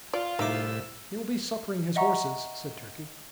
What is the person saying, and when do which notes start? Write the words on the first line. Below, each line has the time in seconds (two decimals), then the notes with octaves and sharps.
"He'll be suppering his horses," said Turkey.
0.13 F4 D5
0.39 C2 A2 D#4 E5 D6 E6
1.96 D#5 E5 F#5 A#5 C#6